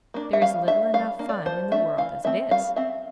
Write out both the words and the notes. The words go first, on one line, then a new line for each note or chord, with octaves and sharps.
There is little enough fun in the world as it is.
A#3 D4
E5
G3 F5
D4 E5
G3 F5
A#3 D4
D5
F3 C5
A3 D4 E5
E3 F5
A3 C4 E5
G3 F5
C4 E5